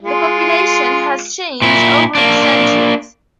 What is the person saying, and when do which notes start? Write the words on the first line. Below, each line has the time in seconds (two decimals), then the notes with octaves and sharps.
The population has changed over the centuries.
0.03 G#3 F4
1.62 A#2 E4
2.15 A#3 D4